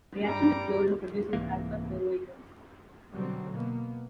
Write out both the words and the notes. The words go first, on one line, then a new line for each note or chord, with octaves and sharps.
Reaction with chlorine produces alpha-chloroethers.
G2 G3 A#5 D6
C2 G#2 E3 A#3
B2 D3 F#3 G3 C4
B2 A#3 B3